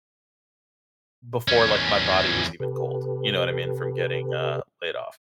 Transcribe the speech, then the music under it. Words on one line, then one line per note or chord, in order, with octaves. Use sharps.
before, like, my body was even cold, you know what I mean, from getting, uh, laid off,
E2 C#4
C3 G4 A4 B4